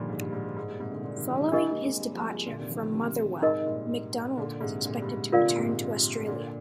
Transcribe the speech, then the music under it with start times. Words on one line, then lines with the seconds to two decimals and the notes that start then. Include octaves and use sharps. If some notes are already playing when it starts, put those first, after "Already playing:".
Following his departure from Motherwell, McDonald was expected to return to Australia.
Already playing: G2 A#2 D3 D#3 F3 G3
0.09 G#2
0.21 G2
0.33 G#2
0.45 G2
0.57 G#2
0.68 G2 A#2
0.80 G#2 C3
0.92 A#2 D3
1.04 A#2 D3
1.16 C3 D#3
1.27 D3 F3
1.40 D#3 G3
1.52 D4 G4 A#4 D#5
1.67 G3 A#3
1.83 G#3 C4
1.99 G3 A#3
2.15 F3 G#3
2.31 F3 G#3
2.47 A#2 D3
2.59 C3 D#3
2.70 D3 F3
2.83 D#3 G3
2.94 C3 D#3
3.42 G#2 C3 D#4 A#4 D#5
3.66 G2 A#2
4.37 A#2 D3
4.61 G#2 C3
4.85 A#2 D3
5.02 G2
5.08 G#2
5.32 D3 F4 A#4 D5 F5
5.40 C3
5.49 A#2
5.56 G#2 C3
6.28 A#2 D3